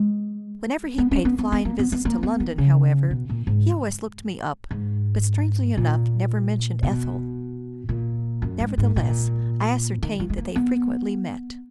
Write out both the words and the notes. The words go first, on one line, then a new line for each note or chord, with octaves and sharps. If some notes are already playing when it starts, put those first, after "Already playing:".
Whenever he paid flying visits to London, however, he always looked me up, but, strangely enough, never mentioned Ethel. Nevertheless, I ascertained that they frequently met.
Already playing: G#3
B3
C#4
B3
B3
B3
A#3
B3
B3
A#3
B3
D#3
C#3
B2
A#2
G#2
G#2
A#2
B2
A#2
F#2
G#2
G#2
A#2
D#3
F3
G#3
A#3
B3